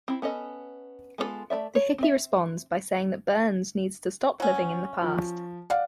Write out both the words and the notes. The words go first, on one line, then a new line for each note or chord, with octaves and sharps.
The hippie responds by saying that Burns needs to stop living in the past.
C4 E4
B3 C#4 A4 D#5
G#3 B3 D4 F4 A4
A3 D#4 D5 E5
C#5
C4 E5
F#3 C#4
F3
D5 F5 F#5